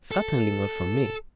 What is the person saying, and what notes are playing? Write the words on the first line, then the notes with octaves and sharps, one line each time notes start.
Certainly not from me.
A4